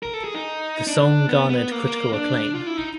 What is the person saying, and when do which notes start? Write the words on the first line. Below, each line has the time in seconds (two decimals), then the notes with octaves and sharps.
The song garnered critical acclaim.
0.03 A#4
0.14 A4
0.24 G#4
0.34 D#4
0.87 D4
1.29 B3
1.49 B3
1.71 A#3
2.13 D4
2.55 F4
2.67 E4
2.77 D#4